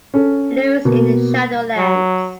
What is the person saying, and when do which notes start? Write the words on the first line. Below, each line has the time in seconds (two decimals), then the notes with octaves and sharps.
Lewis in "Shadowlands".
0.14 C#4 A4
0.85 B2 A#3
1.77 F#3